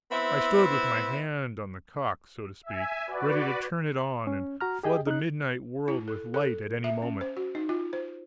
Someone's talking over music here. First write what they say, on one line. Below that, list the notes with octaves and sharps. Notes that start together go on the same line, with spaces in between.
I stood with my hand on the cock, so to speak, ready to turn it on and flood the midnight world with light at any moment.
B3 C4 E4 C5 E5
E5 G#5
F#4 B4 D5
C#4
F#4 A#5 F6
G4 G#4 D#5 G5
D#4 F#6
E4
A4
A4
E5
C#4
C5
F#4
D#4
F4
C5